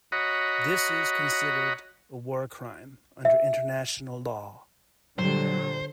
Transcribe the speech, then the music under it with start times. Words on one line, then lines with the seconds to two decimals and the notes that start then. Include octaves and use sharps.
This is considered a war crime under international law.
0.12 F#4 C#5 D#5 F#5 A#5 B5
3.25 E5
5.19 A#2 D3 F#3 G3 C5